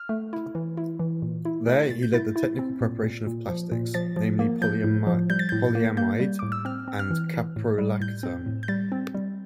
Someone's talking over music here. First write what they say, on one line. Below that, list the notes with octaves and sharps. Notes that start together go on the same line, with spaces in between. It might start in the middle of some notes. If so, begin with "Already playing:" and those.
There he led the technical preparation of plastics, namely polyamide and caprolactam.
Already playing: F6
A3
E4
E3
E4
E3
A#2
E4
A3
A#2 A6
G6
E4 A6
E4
C4
A#2
A#2
A#2
F3
A#2
F3 A6
F3
A#3
F3 G6
A2
F3
G3 G6
A6
A2 G6
A#3
A#3 G6
G3
A2 D6
E6
C4 F6
C4
F6
E3
E3
A2
G3
A2 G6
C4
A2
G6
G3 A6
C4
G3